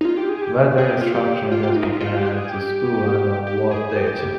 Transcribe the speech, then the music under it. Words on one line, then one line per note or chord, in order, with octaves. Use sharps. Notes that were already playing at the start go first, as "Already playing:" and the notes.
Whether instruction has begun at the school, and on what date.
D#4
F4
G4
G#4
G4
G#4
G4
F4
G4
F4
G4
F4
D#4
F4
F4
G4
G#4
G4
G4
G#4
G4